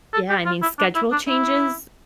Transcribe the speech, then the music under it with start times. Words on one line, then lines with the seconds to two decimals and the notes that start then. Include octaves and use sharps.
Yeah, I mean, schedule changes,
0.13 A4
0.29 G4
0.46 F4
0.62 E4
0.79 D4
0.95 E4
1.12 D4
1.28 E4